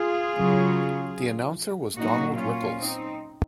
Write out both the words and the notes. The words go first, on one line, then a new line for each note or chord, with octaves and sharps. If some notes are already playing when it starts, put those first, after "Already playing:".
The announcer was Donald Rickles.
Already playing: F4 G#4
C#3 F#3
A#2 F#3 D#4 F#4
C#4 F4
C4 D#4